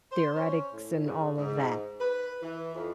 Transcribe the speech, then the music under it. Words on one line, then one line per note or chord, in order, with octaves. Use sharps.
theoretics and all of that.
C5
C#4
A2
C#3
G#2
B4
E3
F2